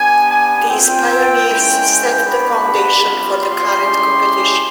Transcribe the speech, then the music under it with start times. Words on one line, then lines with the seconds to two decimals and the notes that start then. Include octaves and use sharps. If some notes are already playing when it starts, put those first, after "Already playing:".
These pioneers set the foundation for the current competition.
Already playing: B3 D4 G4 G#5
0.31 G#5
0.69 C4 F4 G5
1.47 G#3 C#4 E4
2.25 B3 D4 F#4 B5
3.04 G3 C4 F4
3.42 C6
3.81 G#3 C#4 E4 G4